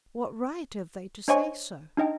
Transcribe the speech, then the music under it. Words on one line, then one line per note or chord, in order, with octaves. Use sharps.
What right have they to say so?
D4 C5 C#5 D#5 G#5 C#6
D4 D#4 D#5 G5